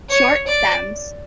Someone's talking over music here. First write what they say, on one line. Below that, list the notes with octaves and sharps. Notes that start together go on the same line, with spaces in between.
Short stems.
C#5
D5